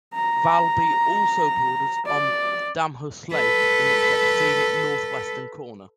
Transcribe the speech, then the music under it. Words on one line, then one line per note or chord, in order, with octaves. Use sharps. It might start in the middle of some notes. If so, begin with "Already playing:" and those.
Valby also borders on Damhus Lake in its extreme north-western corner.
A#5
D5
A4 B4